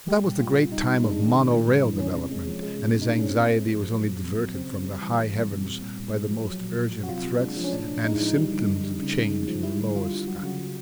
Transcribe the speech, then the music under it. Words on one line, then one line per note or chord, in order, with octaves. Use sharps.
But that was the great time of mono-rail development, and his anxiety was only diverted from the high heavens by the most urgent threats and symptoms of change in the lower sky.
G3 G4
A#2
A#2 F4
G3
C3 D#4
C3
D#4
G#3 D4
D#3
A2
A2
G3
E3
C3 C#4
C3
G#3
F3
G#3
B2
B2
D#4
G#3 D4
C#4
A2 C4
A2
G#3
F3
F#3
A#2
A#2
F#3
C#3 C4
C#3
G3
E3
G3
A#2
A#2
G3
A#2
A#2
G#3
F3
F#3
A#2
A#2
F#3
F#4
C3 F4
C3
G#3 D4
F3
C#4
A2 D4
A2
G#3 D#4
F3 E4
D#4
G3
D3
D3
G3
C#3
C#3
G#3
F3
G3 E4
D3
D3 F4
G3
F#3 F#4
F4
C#3 F#4
C#3